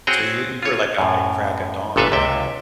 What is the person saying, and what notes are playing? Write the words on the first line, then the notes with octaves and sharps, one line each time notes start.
So, you you were like up at the crack of dawn, right?
C4 F#4 G#4 C#5 G5
F4 C#5
F#2 A2
G1 A#2 A4 B4 E5 F5
C#2 C3 E5 G5